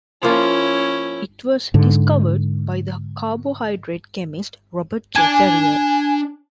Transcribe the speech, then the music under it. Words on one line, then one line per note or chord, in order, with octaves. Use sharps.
It was discovered by the carbohydrate chemist Robert J. Ferrier.
F3 A#3 C#4 E4 F4
G#2 D3
D4 G#5 A5